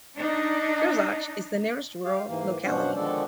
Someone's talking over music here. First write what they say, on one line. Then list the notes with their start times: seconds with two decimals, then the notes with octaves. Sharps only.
Kirzhach is the nearest rural locality.
0.17 D4 D#4
2.06 G4 F5
2.28 G#2 E3 A#3
2.64 B2 F3 C#4 D4 C5 F#5
2.96 D3 D#3 F3 G#3 A4 D5